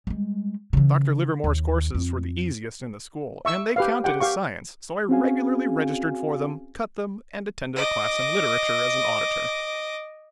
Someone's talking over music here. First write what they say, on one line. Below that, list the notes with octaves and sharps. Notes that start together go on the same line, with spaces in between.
Dr. Livermore's courses were the easiest in the school and they counted as science, so I regularly registered for them, cut them, and attended a class in literature as an auditor.
G3 G#3
C#3 E3
D#2
F2
E5 C#6 E6
G4 B4 F5
G4 F#5 G5
G4 F5 C#6
C4 C#4 F#4 G#4 F5 G#5
D#5 D6